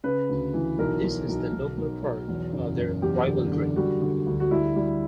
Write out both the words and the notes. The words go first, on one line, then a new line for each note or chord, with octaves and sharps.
This is the nobler part of their ribaldry.
C#3 B4
D2
E3
B1 A#4
B1
B1
B1
B1
F#3
E2
F#1
F#1
E2 G4
D3
D3
G3 F#4
D3
D2
F#4
G3 E4
G3